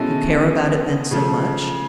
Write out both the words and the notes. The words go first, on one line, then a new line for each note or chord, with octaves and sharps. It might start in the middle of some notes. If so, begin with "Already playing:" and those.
"You care about it, then, so much?"
Already playing: B2 G#3 C#4 E4 A4
C#3 F3 A3